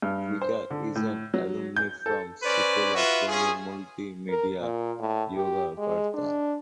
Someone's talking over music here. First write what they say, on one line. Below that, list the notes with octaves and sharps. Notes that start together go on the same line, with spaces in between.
Vika is an alumni from Sekolah Tinggi Multi Media Yogyakarta.
G2
C5
D3
A2
F#3
G6
A4
C#4 B4 C5 D5
F4 F#4 B4 E5
C#4 F4 G#4
A#4
A#2
A2
G4
G#3
D4